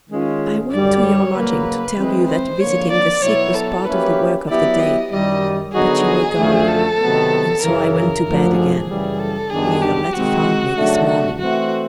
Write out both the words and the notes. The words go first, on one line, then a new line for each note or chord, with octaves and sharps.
I went to your lodging to tell you that visiting the sick was part of the work of the day, but you were gone, and so I went to bed again, where your letter found me this morning.
D#3 G#3 C#4 F4
F#2 D3 G3 D5
C#5
C#3 F#3 A#3 B4
E3 G#3 C4
C5
D3 F3 A#3 C#5
D5
B2 F#3 B3 E4 C#5
A4
F#3 A#3 C#4 E4 G4 B4
F#3 B3 E4 G4 D5
D#5
F#2 D#3 G3 D#5
D3 F#3 B3 D#4 F#4 G#4
F#2 D3 F3 A3
A4
C3 D#3 F#3 B3
F#2 C#3 E3 A#4
A#4
F#2 D3 F3 A3
G#4
F#2 C#3 E3 G3
A4
F#2 D#3 G3 B3 D4 G#4
G4
C3 D#3 G#3 C4 F#4
C#3 F#3 A3 D4
F#4
E3 A3 C4 F#4